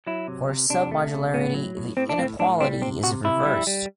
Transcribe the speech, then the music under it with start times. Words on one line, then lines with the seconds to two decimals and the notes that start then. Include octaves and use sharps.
For submodularity, the inequality is reversed.
0.07 F#3 E4
0.28 C3
0.49 C3
0.70 C3 D4
0.91 A3
1.13 C3
1.34 A2 B3
1.54 F#3
1.77 A2
1.97 A2 C4
2.09 D4
2.19 A2 C4
2.39 A2 D4
2.61 G3 C4
2.81 C3 C4
3.03 C3 F#4
3.24 C3 E4
3.45 G3
3.67 G3